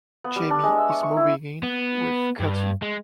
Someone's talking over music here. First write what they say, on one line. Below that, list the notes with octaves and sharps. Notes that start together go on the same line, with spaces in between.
Jamie is moving in with Cathy.
B3
G3
D4
G#3
E5
C#6
C#6
E4
B3
G2
G#3